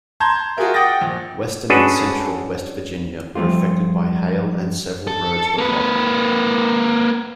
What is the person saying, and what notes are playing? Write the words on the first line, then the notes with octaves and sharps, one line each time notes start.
Western and central West Virginia were affected by hail and several roads were blocked.
A5 A#5 C6 G6 G#6
F4 F#4 G#4 A#4 E5
F#5 G5 D6 D#6 A6 A#6
A#1
C#4 D4 F#4 G#4 A4 B4
E3 F3 G3 A3 C4 F4
A4
A#3 B4